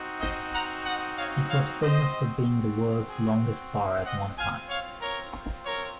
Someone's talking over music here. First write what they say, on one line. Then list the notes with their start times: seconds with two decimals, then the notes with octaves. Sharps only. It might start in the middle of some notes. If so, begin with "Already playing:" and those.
It was famous for being the world's longest bar at one time.
Already playing: C4 D#4 F#4
0.21 C5 D#5
0.53 F#5 A#5
0.85 D#5 F#5
1.18 C#5 F5
1.49 C#5 F5
1.82 C4 F#4 C5 D#5
3.10 G#4
4.06 D#5 F#5
4.38 C4 F4 F5 G#5
4.70 C#5 F5
5.02 A#4 C#5
5.66 A#4 C#5